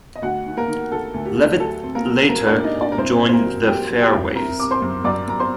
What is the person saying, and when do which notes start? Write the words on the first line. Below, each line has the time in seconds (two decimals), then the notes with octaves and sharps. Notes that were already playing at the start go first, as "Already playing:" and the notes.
Leavitt later joined The Fairways.
0.16 D#5
0.22 D2 F#4 F#5
0.46 D#3
0.57 A#3 A#4
0.68 D#3
0.92 D#3 A4
1.14 D2
1.26 G4
1.37 D2
1.60 F#3 A4
1.83 C4
1.95 A#3 A#4
2.06 F#3
2.29 F#3 A#3 A#4
2.47 D4 D5
2.53 A#2
2.64 D#4 D#5
2.75 A#2
2.81 D4 D5
2.92 A#4
2.98 C2 C4 C5
3.21 A#2
3.29 C5
3.32 A#3 A#4
3.44 F#3
3.67 F#3 G4 G5
3.90 F#3
4.01 G4 G5
4.13 C2
4.36 C4 A#4 A#5
4.59 C4 D6
4.71 C5 C6
4.82 F#2
5.04 F#2 D5 D6
5.28 F#2 A#5
5.40 C5 C6